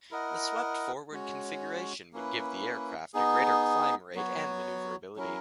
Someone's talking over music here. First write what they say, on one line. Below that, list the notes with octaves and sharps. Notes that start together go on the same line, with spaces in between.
The swept-forward configuration would give the aircraft a greater climb rate and maneuverability.
E4 A#4 D#5 F#5
G#3 C#4 F#4 C#5
A#3 C#4 E4 B4
B3 D#4 G#4
F#3 B3 F#4 C#5
F#3 C#4 E4 A#4